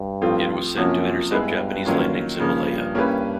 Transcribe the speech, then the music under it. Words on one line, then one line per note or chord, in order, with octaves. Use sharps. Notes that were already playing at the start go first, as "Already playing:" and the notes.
It was sent to intercept Japanese landings in Malaya.
Already playing: G2
A2 F3 A3 C4 F4
F#2 C3 F3 A#3 C#4 F#4
G2 G#3 B3 E4 G#4 B4
D#3 F#3 A#3 C#4 F4
G2 C#3 F3 A#3
A#3 C#4 E4 G4 B4